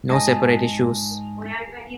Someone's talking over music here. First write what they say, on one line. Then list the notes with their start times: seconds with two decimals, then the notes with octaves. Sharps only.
No separate issues.
0.10 G#2 D#5 G#5 A5